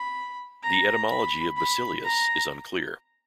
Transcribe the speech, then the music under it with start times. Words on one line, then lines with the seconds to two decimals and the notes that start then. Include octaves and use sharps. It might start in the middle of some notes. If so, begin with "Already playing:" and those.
The etymology of "basileus" is unclear.
Already playing: B5
0.63 A#5
1.10 B5
1.57 B5
2.04 A#5